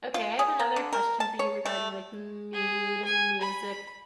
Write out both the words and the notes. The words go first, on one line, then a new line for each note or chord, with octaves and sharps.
Okay, I have another question for you regarding like mood and music.
F4
G#4
A#3
D3
A#4
A5
C#5
A3
G#4
G#5
B5